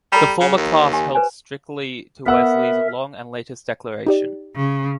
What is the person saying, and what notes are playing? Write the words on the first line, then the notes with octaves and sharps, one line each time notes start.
The former class held strictly to Wesley's long and latest declaration.
G3 A4 A#5 B5
C#3
D#2
G4 G#5
B4 C5 G#5
B3 A#4 E5 F#5 E6
D#4 G4 D5
C#3